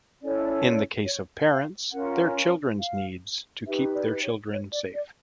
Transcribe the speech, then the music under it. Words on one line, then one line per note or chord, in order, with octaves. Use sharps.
In the case of parents, their children's needs to keep their children safe.
C#4 E4 A4 C#5 D5
D#5
D5
D5
C#5
F5
C#4 F4 A#4 F#5
F5
D#4 G4 B4 E5
D5
C#5
C#5
D5
D5